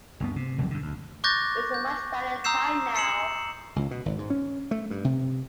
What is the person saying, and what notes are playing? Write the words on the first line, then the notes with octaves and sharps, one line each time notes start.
It's a much better time now.
G1 D2 B3
C3
F1 B1 F2 G3
F2 D3
D2
C#6 D6 F#6 G6 A6 A#6
G6
A#5 D#6 E6 G6 C7 E7
E6 C7 C#7 E7 F#7
C#2
B2
G#1
G#2
C#4
A3
G2
C3